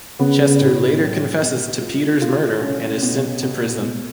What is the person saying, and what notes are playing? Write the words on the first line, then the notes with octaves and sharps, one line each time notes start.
Chester later confesses to Peter's murder and is sent to prison.
C#3 B3
A2
F#3
B3
F4
F4
C#4
B2
B2